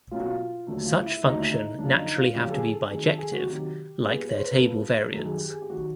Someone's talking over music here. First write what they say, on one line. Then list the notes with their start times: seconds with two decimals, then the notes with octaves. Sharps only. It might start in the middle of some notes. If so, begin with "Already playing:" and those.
Such function naturally have to be bijective, like their table variants.
0.11 B2 F#3 A#3 C#4 F4
0.20 F#4
0.28 F4
0.67 D#2 D3 F#3 A3
0.85 F4
1.04 E4
1.23 D#2 D3 F#3 A3 D#4
1.38 E4
1.51 D#4
1.78 F#2 D3 F3 A#3 C#4 D4
1.98 D#4
2.16 F4
2.35 F#2 D3 F3 A#3 C#4 G4
2.49 A4
2.54 G#4
2.72 A4
2.90 C3 D#3 F#3 G#4
3.04 A4
3.18 G#4
3.32 F#4
3.46 C3 D#3 F#3 G4
4.02 A#2 G3 B3 G#4
4.29 C#5
4.36 C5
4.44 B4
4.51 A#4
4.58 A#2 G3 B3 A4
5.14 F#2 D#3 F#3 A4
5.26 G#4
5.37 G4
5.49 G#4
5.62 G4
5.69 D#3 F#3 F#4